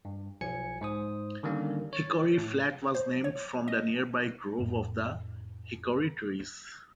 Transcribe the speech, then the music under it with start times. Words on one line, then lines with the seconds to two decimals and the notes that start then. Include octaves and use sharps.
Hickory Flat was named from a nearby grove of hickory trees.
0.05 G2
0.41 B1 F3 G#5 G#6 C#7
0.81 G#2 C5 D#6
1.43 D3 D#3 G3 A#3 C#4 D4
1.93 C#5 A6
2.38 A2
2.95 C5
3.24 C#5
3.68 D#5
4.59 F1 A2